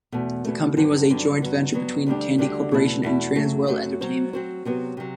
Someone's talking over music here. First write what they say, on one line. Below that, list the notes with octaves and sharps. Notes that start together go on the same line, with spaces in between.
The company was a joint venture between Tandy Corporation and Trans World Entertainment.
E2 B2 A3
E2 B2 A3
G2 D3 F#3 C4
G2 D3 F#3 C4
G2 F#3 B3
G2 F#3 B3
D2 D3 G3 D4 G4
D2 D3 G3 D4 G4
E2 B2 A3 E4
E2 B2 A3 E4
F#2 F#3 A3
F#2 F#3 A3
F#3 C4 F#4 C5
F#3 C4 F#4 C5
C3 F#3 B3
C3 F#3